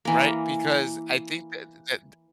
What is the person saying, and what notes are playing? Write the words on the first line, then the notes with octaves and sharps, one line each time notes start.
Right? Because I think that that
E3 A#3